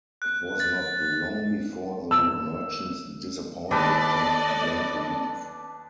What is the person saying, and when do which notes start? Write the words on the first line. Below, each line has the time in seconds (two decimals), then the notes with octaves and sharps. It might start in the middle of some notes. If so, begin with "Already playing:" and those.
It was not long before the merchants disappointed and began to leave.
0.22 F#6
0.60 A6
2.11 E6
3.71 D#2 D4 A4 B4 D5 D#5